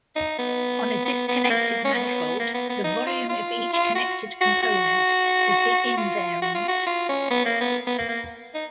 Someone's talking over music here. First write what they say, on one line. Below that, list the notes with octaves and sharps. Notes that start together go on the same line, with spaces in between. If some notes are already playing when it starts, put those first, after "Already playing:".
On a disconnected manifold, the volume of each connected component is the invariant.
D#4
B3
B3
B3
B3
A#3
C#4
B3
A#3
B3
B3
D#4
F4
F4
F4
F#4
F#4
F#4
F4
F#4
F4
F#4
F4
C#4
B3
A#3
B3
B3
A#3
A#3
D#4